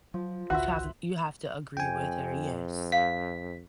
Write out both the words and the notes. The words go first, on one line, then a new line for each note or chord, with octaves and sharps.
You have you have to agree with her, yes.
F3 F#3
G#1 C#2 F#4 B4 C5 E5
F2 G5 G#5
F5 B6